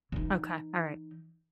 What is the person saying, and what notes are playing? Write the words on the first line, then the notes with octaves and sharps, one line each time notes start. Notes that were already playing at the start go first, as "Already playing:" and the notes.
Okay, alright.
E3 D#4